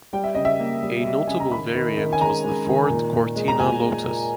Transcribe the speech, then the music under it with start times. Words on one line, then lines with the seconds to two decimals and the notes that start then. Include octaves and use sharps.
A notable variant was the Ford Cortina Lotus.
0.13 G3 G5
0.24 E5
0.35 C#3 D#5
0.45 E5
0.60 A#3
0.83 G3
1.05 G3
1.27 C#3 G#5
1.40 A#5
1.52 D#3 B5
1.75 D#3
1.97 D#3
2.13 G#5
2.21 G#3 A#5
2.44 G#3
2.67 D#3
2.90 A#2
3.13 A#2
3.36 G#3
3.48 A#5
3.60 A#2 G#5
3.82 G#3
4.05 A#2